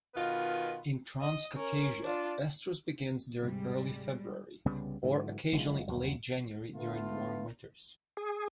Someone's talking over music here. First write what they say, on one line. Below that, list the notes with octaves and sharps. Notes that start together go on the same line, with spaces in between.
In Transcaucasia, estrus begins during early February, or occasionally late January during warm winters.
B2 D#3 F4 B4
D#5
C#4 A#4
D4 F4
D2 G#2 C3 G3 G#3
C2 C#3 G3 B3
G#2 D3 E3 F#3
F#1 F3 G#3
G1 D#2 F#3
D3 A3 B3 F4
G#4